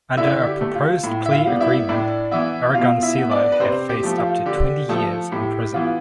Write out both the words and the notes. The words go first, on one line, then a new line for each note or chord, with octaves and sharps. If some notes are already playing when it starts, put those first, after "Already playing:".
Under a proposed plea agreement, Aragoncillo had faced up to twenty years in prison.
D3 E4 E5
G4
A3
F4
A2
E5
F4 F5
G3 B3
E4 E5
A2 D4 D5
E3 B3 E4 E5
B2 F4 F5
E4 E5
B3
D4 D5
B4
C3 C4 C5
G4
F3 A3
F4
D3 G4
F3 A3 A4
A2 G4
E3 B3 F4